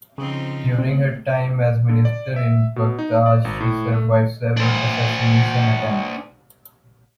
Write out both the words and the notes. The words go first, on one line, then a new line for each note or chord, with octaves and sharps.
During her time as minister in Baghdad she survived several assassination attempts.
C#3 F3 C4 D#4
A2 C4
D3
D5
E5
B2
D#4
D5
G#1
A2
A3
D4 C5